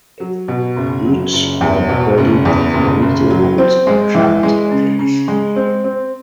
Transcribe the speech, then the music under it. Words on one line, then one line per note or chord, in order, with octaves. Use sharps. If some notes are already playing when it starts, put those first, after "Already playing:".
Each player birdied the final two holes for a dramatic finish.
F#3
B2
F#1
F#3
F#1
E2
B2
F#1
E2
F#1
F#1
F#3
C4
G#3
E3
G#3
C#3
C#3
G#3
C4
C4